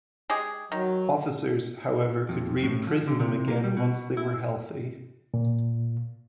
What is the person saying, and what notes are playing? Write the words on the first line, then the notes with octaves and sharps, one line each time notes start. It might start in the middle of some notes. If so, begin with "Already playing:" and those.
Officers, however, could re-imprison them again once they were healthy.
G#3 G4 G#4
D#3 F#3
F2
A2
F3
D3
C3
A#3
G3
B2
E4
A#2